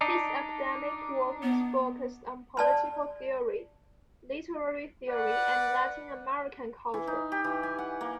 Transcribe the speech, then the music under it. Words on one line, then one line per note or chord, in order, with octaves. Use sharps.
His academic work is focused on political theory, literary theory and Latin-American culture.
D4 D#4
B3
D5 A5 C6
B4 D5 F#5
E3
D#4
G4
E3
G#5
F#5
A#3